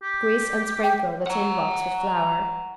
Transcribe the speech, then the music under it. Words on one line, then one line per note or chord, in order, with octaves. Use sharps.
Grease and sprinkle the tin box with flour.
G4
G5
F#5 A#5